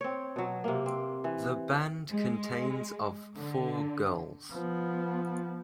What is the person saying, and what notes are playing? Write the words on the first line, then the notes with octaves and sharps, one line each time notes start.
The band contains of four girls.
C4 C#5
B2 F#3
C3 A#3
C4
E3
G#3
D3
F3 B3